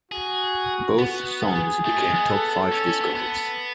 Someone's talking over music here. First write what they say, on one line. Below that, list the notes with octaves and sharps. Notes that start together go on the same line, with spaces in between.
Both songs became top five disco hits.
F#4 G#4
B3 F#4
G#4
A3
G#3
B3
A4
C#4
C#4
B3
B3